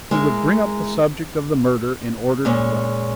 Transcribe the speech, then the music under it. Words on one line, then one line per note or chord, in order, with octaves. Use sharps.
He would bring up the subject of the murder in order to drop them.
G#3 E4 A#4
A#2 G#3 C#4